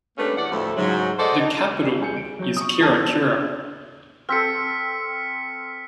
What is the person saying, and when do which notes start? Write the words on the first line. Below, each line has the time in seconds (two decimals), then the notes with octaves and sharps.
The capital is Kirakira.
0.18 G3 A3 A#3 C#4 D4 B4
0.36 E2 D5 F#5
0.51 D2 A2 F3 A3
0.75 G#2 C#3 F#3
1.19 A3 A4 C5 D5 D#5 F#5
1.39 D#4
2.00 G3 G#4 G#5 G6 C#7
2.17 D7
2.39 F#3 G6
2.57 C#6 D#6
2.80 D#1 E2 D#3 A5 D#7
4.29 C4 A4 F6 B6 C#7